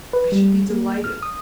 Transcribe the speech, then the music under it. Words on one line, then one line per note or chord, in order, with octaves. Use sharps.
"I should be delighted."
B4
G3
A#3
F6
D#6